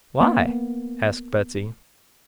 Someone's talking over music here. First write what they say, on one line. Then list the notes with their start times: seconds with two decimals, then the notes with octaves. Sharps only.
"Why?" asked Betsy.
0.20 A#3 B3